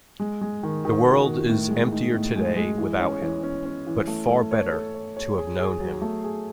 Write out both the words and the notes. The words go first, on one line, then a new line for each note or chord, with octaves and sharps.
The world is emptier today without him, but far better to have known him.
G#3
G#3
D#3
D#3
F#4
D#3
A2
G#3
D#4
A2
G#3
G#3
E3
C#4
E3
C#4
C#4
E3
A3
A3
C#5
A4
C#5
C#5
G#4
G#4
F#3
A3
G#4